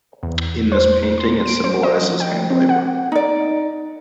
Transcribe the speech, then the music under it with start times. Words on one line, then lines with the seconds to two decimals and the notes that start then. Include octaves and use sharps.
In this painting it symbolizes hand labour.
0.23 E2
0.72 C5
1.18 C6
1.46 D7
1.64 C5
1.83 D#5
1.97 F3
2.20 G5
2.50 C4
2.69 F#5
3.12 D#4 D5